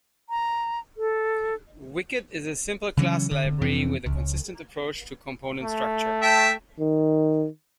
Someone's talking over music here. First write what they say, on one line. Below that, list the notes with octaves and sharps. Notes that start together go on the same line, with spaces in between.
Wicket is a simple class library with a consistent approach to component structure.
A#5
A4
C#3 E3 F#3 C#4
D3
F2 C3 E3 C4
C#2
A3
E5 G5 A5
D#3